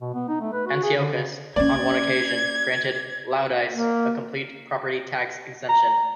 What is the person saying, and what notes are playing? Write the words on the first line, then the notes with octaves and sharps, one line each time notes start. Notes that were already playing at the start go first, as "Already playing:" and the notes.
Antiochus, on one occasion, granted Laodice a complete property tax exemption.
B2
B3
D#4
A3
B4
F#4
G#4
D3
C#3
A#3 C#4 D5 G#6
A#3
A#5